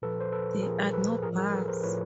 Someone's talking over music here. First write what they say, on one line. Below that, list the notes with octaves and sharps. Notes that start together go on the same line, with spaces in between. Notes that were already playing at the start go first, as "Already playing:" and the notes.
There are no bars.
A#2 F3 A4 B4
C5
A4 B4
A#2 F3 G#4 A#4
A4 B4
A2 F3 G#4 A#4
G#4 A#4
A4 B4
A#4 C5
A2 F3 B4 C#5